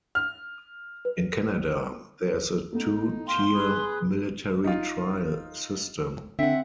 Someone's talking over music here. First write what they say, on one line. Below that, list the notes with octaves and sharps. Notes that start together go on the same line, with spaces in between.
In Canada, there is a two-tier military trial system.
F6
B4
A3 B3 D#4
F#2 F5 G5 C6
G#4 B4
D#4 F4
D3 C4 E5 F#5